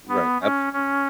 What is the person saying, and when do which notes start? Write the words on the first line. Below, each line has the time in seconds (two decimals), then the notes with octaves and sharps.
Right, absolutely.
0.09 B3
0.41 C#4
0.73 C#4